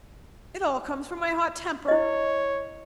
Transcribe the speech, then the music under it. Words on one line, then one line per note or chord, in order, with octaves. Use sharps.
'It all comes from my hot temper!
E4 C#5 D#5